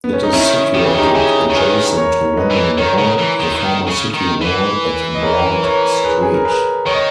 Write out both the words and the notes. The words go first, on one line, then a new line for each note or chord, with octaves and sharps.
It is situated adjacent to London Wall, the former city wall, at Broad Street.
B3
C#4
D#4
D#3 C#4 E4
D#3 G4
C#3 G#4
D#3 D#4 G4
C#3 E4 G#4
C#3 C#5
D#3 G#4 B4
A#4 C#5
B4 D#5
E3
D#3 A#4 C#5
C#3
E3
D#3
E3
D#3
C#3
D#3
E3
D#5
A#4 C#5
A#4 C#5
G#4 B4
G#4
A#4
G#4 B4
D#3 C#5
D#5